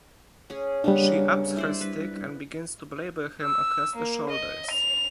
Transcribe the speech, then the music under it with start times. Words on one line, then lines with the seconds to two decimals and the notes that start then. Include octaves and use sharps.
She ups her stick and begins to belabor him across the shoulders.
0.50 C#4 G#4
0.84 C#3 G3 A#3 B3 D4
1.56 E4 C5 D5
1.81 B4
3.42 E6
3.96 A#3
4.29 D#5
4.71 F7